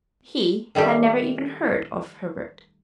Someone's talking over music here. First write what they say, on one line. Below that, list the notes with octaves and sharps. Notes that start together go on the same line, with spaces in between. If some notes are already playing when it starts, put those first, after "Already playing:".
He had never even heard of Herbert.
D#3 G3 A3 G4